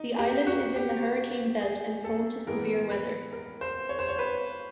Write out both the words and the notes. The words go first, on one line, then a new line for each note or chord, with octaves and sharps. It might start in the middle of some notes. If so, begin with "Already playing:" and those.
The island is in the hurricane belt and prone to severe weather.
Already playing: D#4
G4
F#4
G4
G#4
A4
A2 E3 G#3 B3 A#4
B4
A#4
C5
C#5
C5
C#5
B4